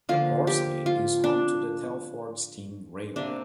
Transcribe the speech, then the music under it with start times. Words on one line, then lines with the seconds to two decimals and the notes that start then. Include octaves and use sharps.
Horsehay is home to the Telford Steam Railway.
0.09 D3 F3 A#3 F4
0.47 G4
0.86 F4
1.24 D4
3.16 C3 A#3 D4